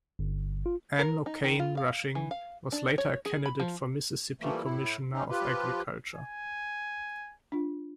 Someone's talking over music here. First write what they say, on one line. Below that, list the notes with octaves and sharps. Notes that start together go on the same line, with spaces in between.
Ann O'Cain Rushing was later a candidate for Mississippi Commissioner of Agriculture.
G1
F4
A#4
D#4
D#3
F4
F5
E3
F5
D4
C#5
G#4
B5
F3
E3 F3 G3 A3 A#3
A2 E4
C4 C#4 D#4
F3 F4 G4 B4
G#5
D4 F4